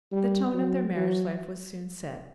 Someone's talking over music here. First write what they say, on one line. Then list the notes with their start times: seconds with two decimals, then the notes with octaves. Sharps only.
The tone of their marriage life was soon set.
0.12 G3
0.54 F#3
0.96 F#3